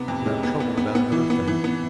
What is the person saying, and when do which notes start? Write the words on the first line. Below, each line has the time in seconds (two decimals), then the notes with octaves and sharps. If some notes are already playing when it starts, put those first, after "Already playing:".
But I am troubled about another thing.
Already playing: C3 B3
0.08 F2
0.26 G#3
0.43 B3
0.60 B3
0.77 B3
0.95 B3
1.12 E3
1.30 B3
1.48 E3
1.64 B3